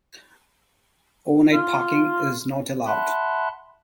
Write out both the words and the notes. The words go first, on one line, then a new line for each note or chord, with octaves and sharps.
Overnight parking is not allowed.
F4
E5 F#5 A5 B5 C6 F#6